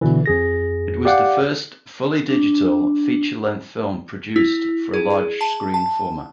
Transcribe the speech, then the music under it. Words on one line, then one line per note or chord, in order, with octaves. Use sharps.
It was the first fully digital feature-length film produced for a large-screen format.
B2 D3 E3
F2 G#4 A#6
G4 D5 F5 F#5 D6
D4
E4
G#4
A5
A5